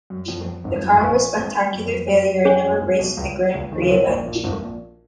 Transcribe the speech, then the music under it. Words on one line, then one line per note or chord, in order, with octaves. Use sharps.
The car was a spectacular failure and never raced in a Grand Prix event.
F#2
F2
F2
G#1 G#2
F2
F#2
G#2
A#1 A#2 B4 F5 G#5 C#6
G#1 G#2
F#2
F2
F#2
F#2
F#2
F2 C#4 G#4 C#5 G#5
F#2
G#1 G#2
B1 B2
C#2 C#3
C#2 C#3
D#2 D#3
C#3
B1 B2 C#4 F#4 A#4
A#1 A#2
A#1 A#2
G#1 G#2
A#1 A#2